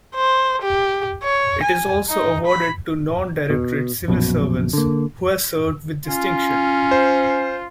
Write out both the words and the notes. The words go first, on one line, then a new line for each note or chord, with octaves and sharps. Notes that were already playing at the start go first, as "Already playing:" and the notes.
It is also awarded to non-directorate civil servants who have served with distinction.
C5
G4
C#5
G#5
D#4
B5
B2
A#1 F#2 B2
D3 A#3
C#4 F4
C5